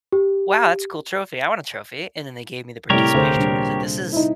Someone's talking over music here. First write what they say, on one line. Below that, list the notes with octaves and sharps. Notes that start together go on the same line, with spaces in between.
"Wow, that's a cool trophy. I want a trophy." And then they gave me the participation trophy. I was like, "This is
G4
A2 C3 G3 G4 A#4 C#5
D2 G#4 C5
A#2 G3 D4
D#4 E4